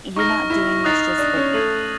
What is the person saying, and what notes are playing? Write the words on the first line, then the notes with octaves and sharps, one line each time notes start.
"You're not doing this just for
D#4 C#6 F6 A#6
E4
D#4 D#6 F#6 A6 C7 F7
D4
C#4
A3 G#6 C7 D#7 F#7